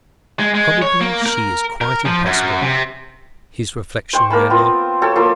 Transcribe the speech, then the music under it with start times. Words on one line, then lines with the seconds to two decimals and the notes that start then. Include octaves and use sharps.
"Probably she is quite impossible," his reflections ran on.
0.39 G#3
0.54 G#3
0.82 C#5
1.01 A#3
1.26 A#4
1.81 A#4
2.06 F3
2.26 F#2
2.62 C3
4.13 C5 G5 C#6
4.30 A#3 A#4 A5 B5
4.50 B3 C4 F4
5.02 F#3 A4 C#5 G5
5.16 F3 A#3 A4 B5